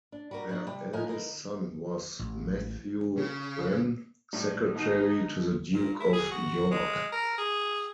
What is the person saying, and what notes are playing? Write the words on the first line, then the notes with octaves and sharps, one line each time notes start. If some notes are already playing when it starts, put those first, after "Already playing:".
Their eldest son was Matthew Wren, secretary to the Duke of York.
D4
G3 F#4 A#4
B3 D4 D#4 F#4
C3 G3
A2 F3 A#4 D#5 G#5
B3 D#4 A#4 F5
A1
C#3
A2 G3
B2 D#4
A#2
E4
G#4
F#4
G#3
A#4
G#4